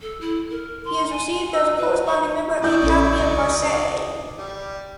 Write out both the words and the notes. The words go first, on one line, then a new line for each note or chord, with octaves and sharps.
His is received as a corresponding member at the Academy of Marseille.
A4
E4
A#4
C6
G#5
E6
B4
C#6
F#3 E4 D5 D#5 G6
A#1 C#4 A4
C#2
G3